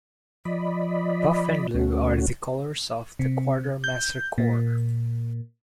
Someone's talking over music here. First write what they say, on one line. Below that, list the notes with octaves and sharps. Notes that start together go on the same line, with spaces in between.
Buff and blue are the colors of the Quartermaster Corps.
F3 D5 D#5 B5
D2 A3 C#4 F#4
C3
G6
A#2